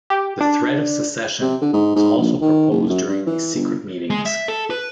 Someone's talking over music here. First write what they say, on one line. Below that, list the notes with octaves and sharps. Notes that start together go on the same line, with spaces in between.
The threat of secession was also proposed during these secret meetings.
G4
D4
C3
D3
G#2
G#2
A#1
D#3
F#1
F#2
G2
E3
G1
G#3
E5
A4
B4